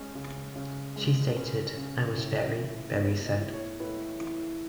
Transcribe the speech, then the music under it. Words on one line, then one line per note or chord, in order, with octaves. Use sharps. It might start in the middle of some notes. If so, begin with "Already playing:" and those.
She stated, I was very, very sad.
Already playing: G#3 C#4
C#3
C#3
G#3
C#4 B4
C#3
A2
E3
B3 C#5
D#5
A2
C#5
A2 B4
E3